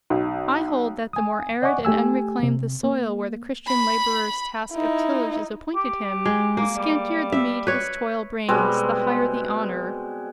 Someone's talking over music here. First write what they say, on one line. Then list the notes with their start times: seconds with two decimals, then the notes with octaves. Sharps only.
I hold that the more arid and unreclaimed the soil where the Christian labourer's task of tillage is appointed him--the scantier the meed his toil brings--the higher the honour.
0.10 B1
1.13 G#5 D#6
1.62 D5 D#5 F#5 G#5 C#6 D6
1.85 A3 G4 G#5 E6
2.43 C3
2.83 A#3
3.67 B5
4.73 D#4 E4
5.75 G4
6.25 G#3
6.57 A#3
6.76 G3
7.32 E5
7.67 B4 C#5
8.49 B2 G3 G#3 C4